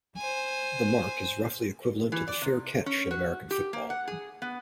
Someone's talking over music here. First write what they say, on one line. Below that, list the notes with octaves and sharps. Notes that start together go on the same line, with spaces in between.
The mark is roughly equivalent to the fair catch in American football.
C5 G#5
E3
D5
C3
C#4
F#4
G4
A#3
F#5
G#4
B3